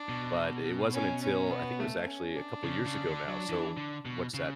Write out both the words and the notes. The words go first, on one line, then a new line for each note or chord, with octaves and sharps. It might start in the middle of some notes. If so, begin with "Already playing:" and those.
But it wasn't until I think it was actually a couple years ago now. So, what's that?
Already playing: D4
B2
C#4
C#4
B3
A3
C#4
D4
C#3
C#3
D3
F#3
E3
D3
B2
C#3